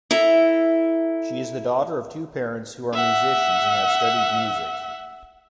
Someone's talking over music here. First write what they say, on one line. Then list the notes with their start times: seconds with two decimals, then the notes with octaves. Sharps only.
She is the daughter of two parents who are musicians and have studied music.
0.11 E4 A4 A#5
2.94 E5 F#5